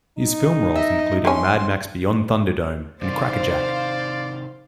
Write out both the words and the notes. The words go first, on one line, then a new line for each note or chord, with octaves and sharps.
His film roles including Mad Max Beyond Thunderdome and Crackerjack.
D#4
D#5 E5
D3 C#4 C6
C3 D#3 C5 D5 F5